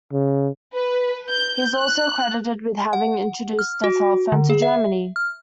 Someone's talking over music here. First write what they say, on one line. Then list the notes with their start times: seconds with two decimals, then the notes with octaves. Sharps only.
He is also credited with having introduced the telephone to Germany.
0.13 C#3
0.74 B4
1.30 G6
1.77 F#6
2.93 F#5
3.59 F6
3.84 F#4
4.32 D3
4.50 G#4
4.62 E5
5.16 F6